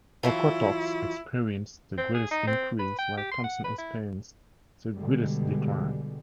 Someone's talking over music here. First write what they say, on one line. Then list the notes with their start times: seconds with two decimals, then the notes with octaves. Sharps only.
Okotoks experienced the greatest increase while Thompson experienced the greatest decline.
0.23 E3 F#3 E4 F4
1.98 C4
2.14 G#4
2.31 D#4
2.47 C4
2.79 B4
2.99 G5
3.17 G4
3.31 C6
3.44 F#5
3.64 B4
3.78 E4
4.96 B2 D3 G3 G#3